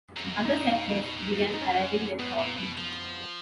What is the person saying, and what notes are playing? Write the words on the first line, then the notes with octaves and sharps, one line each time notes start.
Other settlers began arriving that fall.
F#2
F2
F#2
F#2 D#4
A#2
B2
C#3
B2
A#2
G#2
F#2
D#4
G#2 C#4
F#2
G#2 B3
A#2
B2
F3